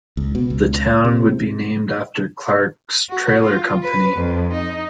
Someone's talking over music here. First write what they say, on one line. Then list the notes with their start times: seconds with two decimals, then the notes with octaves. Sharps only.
The town would be named after Clark's trailer company.
0.17 C#2
0.35 B2
0.50 C#2
1.05 C3
3.10 F#4
3.43 F4
3.83 B4
4.16 F2
4.52 D#4